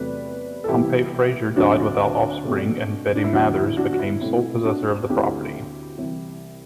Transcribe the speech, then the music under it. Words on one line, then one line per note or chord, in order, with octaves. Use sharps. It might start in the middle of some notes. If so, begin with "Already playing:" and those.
Pompey Frazier died without offspring and Betty Mathers became sole possessor of the property.
Already playing: E2 C3 F#3 A3 C4 B4 D5
A4
C2 C3 E3 B3 E4 G4
D2 D3 F#3 C4 D4 F#4
B2 A3 C4
D4
E4
E2 D3 F#3 D4 F#4
E4
D4 F#4
F#4
E4
B2 A3 C4 E4
D4 F#4
D2 D3 A3 C4 E4 G4
C2 C3 E3